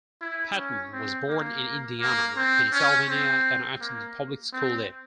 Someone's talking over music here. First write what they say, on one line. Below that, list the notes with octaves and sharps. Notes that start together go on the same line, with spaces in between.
Patton was born in Indiana, Pennsylvania and attended public school there.
E4
C#4
C4
A#3
A#3
C4
C#4
C4
A#3
C4